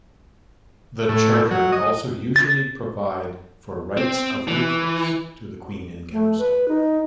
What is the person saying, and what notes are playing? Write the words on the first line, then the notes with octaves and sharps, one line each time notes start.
The charter also usually provide for rights of recourse to the Queen in Council.
A2
F#3
D#5
A6
C4
E3
A3
B4
D#4